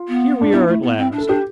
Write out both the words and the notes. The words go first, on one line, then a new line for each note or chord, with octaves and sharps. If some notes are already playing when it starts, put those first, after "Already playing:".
'Here we are at last.
Already playing: F4
B3
D4
B3 E4
A3
B3
C4
D4
A4
D4 G4